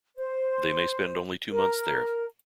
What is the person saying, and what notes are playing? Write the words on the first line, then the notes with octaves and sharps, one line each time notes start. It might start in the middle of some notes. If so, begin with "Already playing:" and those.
They may spend only two months there.
C5
A#4